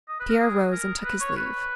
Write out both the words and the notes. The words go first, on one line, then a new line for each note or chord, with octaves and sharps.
Pierre rose and took his leave.
D#5
B4
A#4
G#4
A#4
B4
C#5
B4